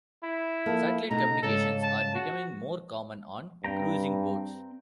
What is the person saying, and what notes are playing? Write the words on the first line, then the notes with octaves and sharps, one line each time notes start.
Satellite communications are becoming more common on cruising boats.
E4
F3 A#3 A4
B2 A3 D#4 A#5
G#2 C#3 A4
A5
F#4
G2 C4 G5 A#5